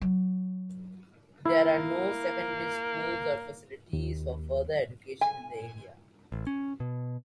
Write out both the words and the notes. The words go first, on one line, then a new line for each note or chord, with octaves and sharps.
There are no secondary schools or facilities for further education in the area.
F#3
A#3 E4
D#2
G#5
A1
C#4
B2